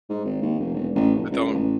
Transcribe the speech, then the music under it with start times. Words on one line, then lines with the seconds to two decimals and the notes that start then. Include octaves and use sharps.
but don
0.09 G#2
0.25 G#1
0.42 D#2
0.60 F1
0.74 E1
0.95 A1
1.14 F1
1.31 C#2
1.54 A1